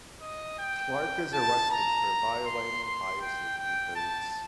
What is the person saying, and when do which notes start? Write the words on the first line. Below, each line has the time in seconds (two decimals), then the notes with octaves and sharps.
Clark is arrested for violating fire safety codes.
0.21 D#5
0.59 G5
1.33 A5
1.71 A#5
2.45 C6
2.83 C6
3.21 G5
3.58 G5
3.95 A5